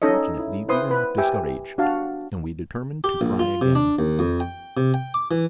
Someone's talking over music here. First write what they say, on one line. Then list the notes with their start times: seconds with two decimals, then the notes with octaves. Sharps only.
Fortunately we were not discouraged, and we determined to try again.
0.02 C#4 D#4 A4 C#5 D#5
0.39 E4
0.68 E4 B4 C5 C6 D#6
0.91 B4
1.18 G4 E5 G5 G#5
1.78 D4 F#4 F5 A5
3.04 G4
3.21 A#1
3.39 F4
3.61 C3
3.75 D4
3.99 D#2
4.19 F2
4.40 G5
4.77 C3
4.94 G5
5.14 D6
5.31 E3